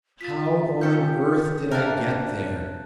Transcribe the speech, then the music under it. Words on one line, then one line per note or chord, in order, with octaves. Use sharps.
How on earth did I get there?
F4 A6 B6
C#4 G4 A4 G6 C#7
C3 A#3 D4 A#4 A5 F#6 A6